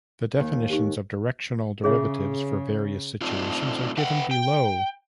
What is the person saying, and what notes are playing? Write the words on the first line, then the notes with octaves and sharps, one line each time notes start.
The definitions of directional derivatives for various situations are given below.
D#2
D#4 G4
C#3 G#4 C#5 E5
A3 C4 D4 D#4 F4
B4 E5 F#5 G5
G5